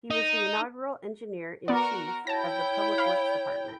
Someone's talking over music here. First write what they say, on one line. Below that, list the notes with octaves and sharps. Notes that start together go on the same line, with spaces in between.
He was the inaugural Engineer in Chief of the Public Works Department.
D#4
B3 F#4 A#4 D5
E4 C#5 G5 A5 A#6
F5 B5